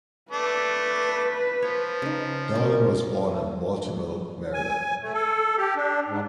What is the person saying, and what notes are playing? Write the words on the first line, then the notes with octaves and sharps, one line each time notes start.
Darling was born in Baltimore, Maryland.
A3 D4 B4
F3 C#5
C#3 D#4
C4 C#4 A#4
G#5
A3
A4
G4
D4
G#2